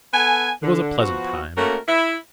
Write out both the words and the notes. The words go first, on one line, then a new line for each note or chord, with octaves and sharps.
It was a pleasant time.
B3 A4 G#5
D3
F3 B3 F#4
A3 A#3 C#4 F#4 A#4
E4